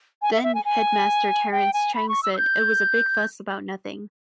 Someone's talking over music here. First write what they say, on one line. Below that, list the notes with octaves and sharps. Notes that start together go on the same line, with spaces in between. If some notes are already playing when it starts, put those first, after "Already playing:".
Then-Headmaster Terence Chang said it was a "big fuss about nothing".
G#5
E5
E5
G#5
G#5
G5
G#5
B5
C#6
E6
E6
G6